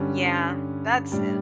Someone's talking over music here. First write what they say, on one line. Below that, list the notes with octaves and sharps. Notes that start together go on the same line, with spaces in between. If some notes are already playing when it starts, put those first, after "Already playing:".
Yeah. That's e
Already playing: G2 D3 G3 C#4
A2 G3 D4